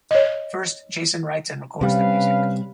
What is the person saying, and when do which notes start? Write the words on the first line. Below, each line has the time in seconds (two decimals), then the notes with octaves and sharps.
First, Jason writes and records the music.
0.11 C#5 D#5
1.81 C3 G3 C#4 B4 F5